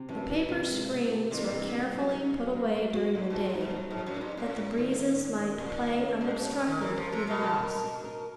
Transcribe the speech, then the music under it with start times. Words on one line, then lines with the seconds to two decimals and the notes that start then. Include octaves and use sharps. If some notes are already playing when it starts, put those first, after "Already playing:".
The paper screens were carefully put away during the day, that the breezes might play unobstructed through the house.
Already playing: C3
0.09 F#2 E3
0.29 E3
0.50 C3
0.70 G#3
0.91 C3
1.11 C3
1.31 G2 E3
1.51 C3
1.72 C3
1.92 F#3
2.13 D#4
2.33 F#3
2.53 A#3
2.74 F#3
2.94 F#4
3.15 G2 F#4
3.30 G#2 F#4
3.45 A2
3.55 D#4
3.61 G#2
3.76 F#3
3.91 G#2
3.96 F#3
4.06 F#2
4.17 G2 D#4
4.37 A2 C#4
4.58 G#3
4.77 D#3
4.99 D#3
5.18 C#4
5.38 D#3
5.59 A#2 D#3
5.79 D#3
5.99 C#4
6.20 A#2 G#3
6.36 B2 C#4
6.51 C#3
6.61 C#4
6.67 D#3
6.81 E3 A#4
6.96 F3 A#4
7.12 C3
7.22 A#4
7.27 B2
7.42 D4
7.63 A#4
7.83 D4
8.04 A#4